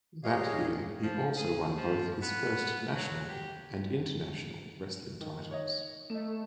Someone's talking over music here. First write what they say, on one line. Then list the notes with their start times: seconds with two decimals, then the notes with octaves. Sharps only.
That year he also won both his first national and international wrestling titles.
0.24 G4 G#4 C#5 D#5 F5
1.03 F3
1.37 G#4
1.77 F3
2.22 B3
2.95 F#3
3.29 G4
5.21 D#3
5.51 C#5 D#5
6.10 A3 D#4 E7